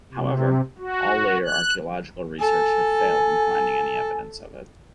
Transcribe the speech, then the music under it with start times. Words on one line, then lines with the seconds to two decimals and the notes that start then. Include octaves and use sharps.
However, all later archaeological research have failed in finding any evidence of it.
0.12 C3
0.78 F#4
1.46 F#6
2.39 A4 G#5